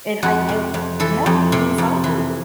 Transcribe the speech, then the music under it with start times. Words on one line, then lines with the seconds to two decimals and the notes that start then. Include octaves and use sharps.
And I I'm Yeah, it was awful.
0.23 F2 F#4
0.49 C3
0.74 F2
1.00 E3 A4
1.26 F2
1.52 C3
1.78 F2
2.04 E3